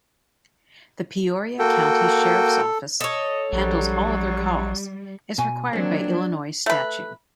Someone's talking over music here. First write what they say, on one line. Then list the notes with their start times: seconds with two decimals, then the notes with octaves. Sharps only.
The Peoria County Sheriff's Office handles all other calls, as required by Illinois Statue.
1.59 A#3 F#4 A4 G5
3.01 A4 C#5 D#5
3.53 A#1 F#3 G3
5.38 B2 F#4 G#5
5.73 F#3 A#3 C4 D4
6.66 A3 B4